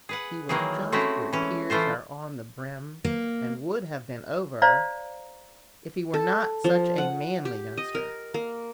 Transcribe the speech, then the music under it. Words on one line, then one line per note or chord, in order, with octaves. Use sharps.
"He was just where tears are on the brim, and would have been over, if he were not such a manly youngster."
G#4 B4 F#5
D#3 E3 F#3 A#3 G#4
G#3 A3 C4 C#4 E4 F#4
E3 C#4
E3 A3 F4 C5
A#3
C5 D5 F5 A#5
A4
F3
F#5
G4
D#5
A#4
A#3